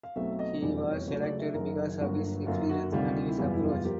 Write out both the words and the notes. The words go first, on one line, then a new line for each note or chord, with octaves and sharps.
He was selected because of his experience and his approach.
F5
B1 B2 F#3 A3 C4 E5
D#5
F1 E2 B2 G3 D5
D5
C#5
C#2 C#3 F#3 A3 C#5
D5
E5
F#1 F#2 D#3 A#4
G1 G2 D3 F#3 A#3 F#4
F#2 D3 F#3 A#3 F4
F#4
D2 C3 D#3 G3 F4
E4
F#1 E2 B2 G3 B3 F4
E4
F4
F3 A#3 G4